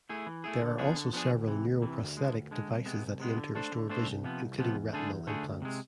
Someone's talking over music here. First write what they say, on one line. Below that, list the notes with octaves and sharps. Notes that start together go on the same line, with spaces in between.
There are also several neuroprosthetic devices that aim to restore vision, including retinal implants.
A3 E4 G#4
E3
A3 E4 G#4
D3
F3 B3 D4 G#4
D3
F3 B3 D4 G#4
D2
C3 E3
D2
C3 E3
D2
D3 G#3
D2
D3 G#3
C2
C3 G#3 B3
C2
C3 G#3 B3
D3
A3 D4 A4 C5
D3
A3 D4 A4 C5
C2
C3 F3 B3
C2
C3 F3 B3
E2
D3 A3 D4 G#4
E2
D3 A3 D4 G#4
D2
C3 G#3